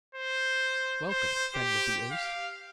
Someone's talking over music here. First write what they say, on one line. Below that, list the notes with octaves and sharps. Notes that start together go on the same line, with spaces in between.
"Welcome, Friend of the Ace."
C5
C5
G4
F5